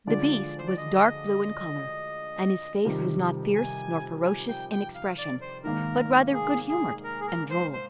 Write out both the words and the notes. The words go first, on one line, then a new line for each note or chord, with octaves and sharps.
The beast was dark blue in color and his face was not fierce nor ferocious in expression, but rather good-humored and droll.
D2 D3 F3 G#3 D4 D5
C5
D5
D#5
F2 C3 D#3 G3
G#5
G#5
G5
G5
F5
D5
C5
G#1 G#2 D#3 A#3 A#4
G#4
G#4
A#4
G#4
A#4
C5
C5